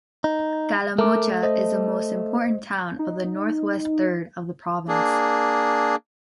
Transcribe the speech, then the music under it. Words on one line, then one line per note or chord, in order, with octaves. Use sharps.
Calamocha is the most important town of the Northwest third of the province.
D#4
A3 A#4 D6
C5 D#5
D#4
A#3 D4 G#4